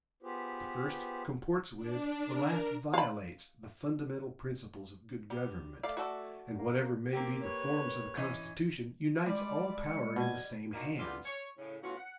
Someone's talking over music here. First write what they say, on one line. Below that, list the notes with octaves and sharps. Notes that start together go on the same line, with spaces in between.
The first comports with, the last violates, the fundamental principles of good government; and, whatever may be the forms of the Constitution, unites all power in the same hands.
B3 F4 G4 G#4 B4 C5
D4
A#4
F5 B5
G3
A3 D5 F5
F#4 A4 D5
A#3
A#3 C4 G4
B4 C#5
E3 C#4 D#5
G3 G#3 D5
C#7
B2 D#5 G#6
A#3 D4 D#4 F4 F#4 A#4
D3 E3 G3 B3 F4 G#4
C#5
A2 C#3
A2 B3 C#4 F4 F#4
F#5